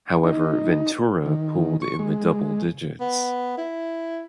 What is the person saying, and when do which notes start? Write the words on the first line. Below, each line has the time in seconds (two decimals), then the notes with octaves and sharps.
However, Ventura polled in the double digits.
0.24 D#4
1.26 D#3
1.82 C#6
1.99 G#3
3.01 B3
3.58 E4